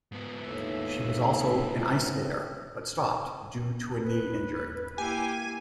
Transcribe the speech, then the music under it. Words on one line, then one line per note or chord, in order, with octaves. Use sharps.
She was also an ice skater, but stopped due to a knee injury.
G#2 B3
D#2 A2 E5
E3 F#3 C4
B4
A#3 E4 G4 G#5